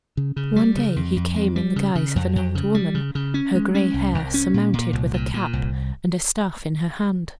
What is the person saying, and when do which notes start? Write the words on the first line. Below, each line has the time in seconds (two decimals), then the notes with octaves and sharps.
One day he came in the guise of an old woman, her gray hair surmounted with a cap, and a staff in her hand.
0.17 C#3
0.36 C#3
0.56 G3
0.77 C#3
0.96 F2
1.16 F2
1.36 F2
1.56 G3
1.76 C#3
1.95 C#3
2.16 F2
2.36 F2
2.55 C#3
2.74 G3
2.95 C#3
3.15 C#3
3.34 C#4
3.55 G#3
3.75 C#4
3.94 C2
4.14 C2
4.34 C#4
4.54 A#2
4.73 A#2
4.93 C2
5.13 A#2
5.34 A#2
5.53 C2